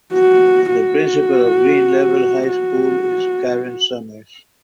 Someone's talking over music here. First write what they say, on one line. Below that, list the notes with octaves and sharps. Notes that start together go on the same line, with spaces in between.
The principal of Green Level High School is Karen Summers.
F#4
F#4
F#4